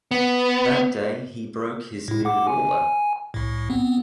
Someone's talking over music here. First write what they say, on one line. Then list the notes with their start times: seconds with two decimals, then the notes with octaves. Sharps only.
That day he broke his new ruler.
0.11 B3
2.08 A2 E4
2.25 F#5 D6
2.47 G#5
3.34 C2 A2
3.70 B3 C4